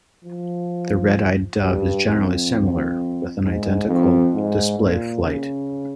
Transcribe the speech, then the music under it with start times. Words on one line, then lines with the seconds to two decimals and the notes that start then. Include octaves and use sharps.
The red-eyed dove is generally similar with an identical display flight.
0.24 F3
1.60 G2
2.07 F2
3.42 G#2
3.87 F2
4.33 G#2
4.78 A#2
5.24 C#3